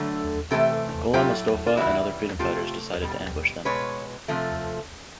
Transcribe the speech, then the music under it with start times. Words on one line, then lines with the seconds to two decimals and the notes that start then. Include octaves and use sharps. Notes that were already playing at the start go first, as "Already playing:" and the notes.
Golam Mostofa and other freedom fighters decided to ambush them.
Already playing: D3 F#3 A3
0.51 C3 E3 A3 G4 A4
1.13 A2 F#3 A3 F4 G4
1.67 F4
1.77 C#3 E3 G3 E4 F#4
2.39 C3 F3 A3 F4 G4
3.02 B2 G3
3.65 B2 G#3 B4 C#5
4.28 C3 F3 A3